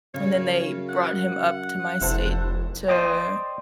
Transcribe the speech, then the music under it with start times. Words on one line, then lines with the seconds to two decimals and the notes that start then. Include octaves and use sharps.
and then they brought him up to my state to
0.14 F#2 C#3 C#5
0.89 F#5
2.01 F1 E4 C5 A5
2.88 C5 D5 D#5 G5